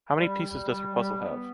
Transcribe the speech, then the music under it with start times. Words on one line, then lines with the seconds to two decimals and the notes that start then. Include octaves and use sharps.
How many pieces does your puzzle have?
0.16 G3
0.42 G3
0.68 G3
0.94 G3
1.20 B3